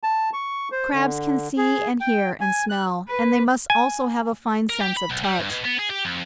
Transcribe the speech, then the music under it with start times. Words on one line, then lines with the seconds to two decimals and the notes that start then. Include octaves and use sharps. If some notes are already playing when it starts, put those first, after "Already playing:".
Crabs can see and hear and smell; and they must also have a fine sense of touch.
0.03 A5
0.33 C#6
0.72 C5
0.93 D3
1.58 G#4
2.01 G5
2.41 G#5
2.70 F#6
3.08 B4
3.70 G#5
4.69 A#4
4.81 G4
4.97 B5
5.10 B1
5.24 G3
5.39 G2
5.51 B2
5.65 B3
5.79 G#4
5.90 G4
6.05 F2